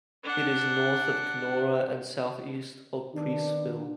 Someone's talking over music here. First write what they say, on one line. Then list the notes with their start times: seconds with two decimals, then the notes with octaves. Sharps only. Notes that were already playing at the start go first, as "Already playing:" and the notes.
It is north of Canora and southeast of Preeceville.
0.24 D4 F#5
3.14 D#3 B3 D4